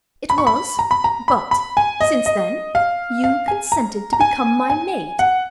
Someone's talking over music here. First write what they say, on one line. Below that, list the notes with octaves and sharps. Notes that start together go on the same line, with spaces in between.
"It was; but, since then, you consented to become my maid."
B5
C#6
B5
A#5
B5
A#5
B5
B5
G#5
D#5
D#5
F5
F5
G#5
A#5
A#5
G#5
G#5
F#5